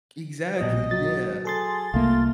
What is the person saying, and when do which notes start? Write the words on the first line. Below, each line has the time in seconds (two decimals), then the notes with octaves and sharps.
Exactly, yeah,
0.59 A#1 B2 G3 D#5
0.91 F#3 A6
1.45 G#4 A4 C6 A6
1.94 C2 A3 A#3 F4